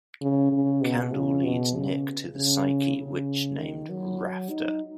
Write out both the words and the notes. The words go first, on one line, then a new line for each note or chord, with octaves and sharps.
Candle leads Nick to the Psyche witch named Rafter.
C#3
C#3
B2
C#3
B2
C#3
C#3
C#3
D#3
F#3
D#4